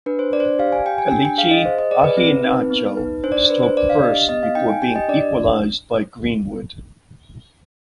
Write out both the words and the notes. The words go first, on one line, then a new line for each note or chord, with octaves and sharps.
Kelechi Iheanacho stroke first before being equalised by Greenwood.
D4 B4
C5
D4 D5
C5
D5
G4 F5
G#5
G4 G5
G#5
D4 G5
G5
G#4 F5
D#5
G#4 C5
D#5
G#4 D5
B4
C4
D#4
B3
D#4
D4 C5
D5
C5
D4 B4
C5
D4 D5
F5
G4 D#5
B3 D#5
F5
D#4 G5
G#5
G4 G5
D#5
D4 D5